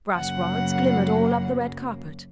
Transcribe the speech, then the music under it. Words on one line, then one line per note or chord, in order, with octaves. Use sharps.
Brass rods glimmered all up the red carpet.
F#2 C#3 F#3 A#3 F#5